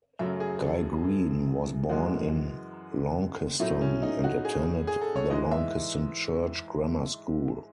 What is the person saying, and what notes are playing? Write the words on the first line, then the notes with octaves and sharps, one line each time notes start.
Guy Green was born in Launceston, and attended the Launceston Church Grammar School.
F#2 C#3 F#3 A3 E5
G#4
A4
A4
F#2 E3 G#3 F#4
A2 F#3 A3 E4
C#4
D#4
F#4
G#4
G#4
A4
C#5
G#2 E3 G#3 D#5
E5